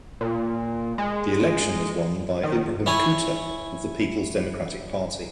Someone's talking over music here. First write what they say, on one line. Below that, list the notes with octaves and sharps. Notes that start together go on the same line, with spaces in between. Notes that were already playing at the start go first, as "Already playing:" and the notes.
The election was won by Ibrahim Kuta of the Peoples Democratic Party.
A#2
G#3
D#3
E4 C#5 G#5